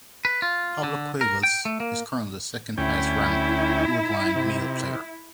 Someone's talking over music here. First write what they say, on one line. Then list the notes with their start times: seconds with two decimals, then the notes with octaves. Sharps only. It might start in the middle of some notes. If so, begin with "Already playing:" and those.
Pablo Cuevas is currently the second highest-ranked Uruguayan male player.
0.25 B4
0.42 F4
0.83 D3
1.21 A#4
1.43 G5
1.65 A3
1.80 A#3
2.78 D2 C#4 E4 G5
4.36 C3